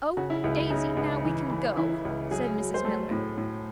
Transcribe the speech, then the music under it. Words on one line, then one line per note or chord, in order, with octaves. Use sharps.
"Oh, Daisy; now we can go!" said Mrs. Miller.
C#3 F#4
E4
C#2 E4
E4
C#3 D#4
C#2
E3
E3
E3 E4
C#2
F#3 G#4
F#3
C5
A3 A4
A2
A2